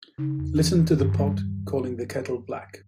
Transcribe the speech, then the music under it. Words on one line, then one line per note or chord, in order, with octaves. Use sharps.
Listen to the pot calling the kettle black.
C#3 D#4
E2
E3
D#3
G2
G3